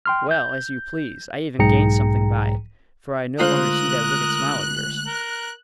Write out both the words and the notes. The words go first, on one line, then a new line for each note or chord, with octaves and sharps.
Well, as you please, I even gain something by it, for I no longer see that wicked smile of yours.
G5 C6 F6
G6
B1 G#2 G#4 G5 A#5 C#7
D3 G#3 A3 F4 A#4 C5 D#6 F#6
A#4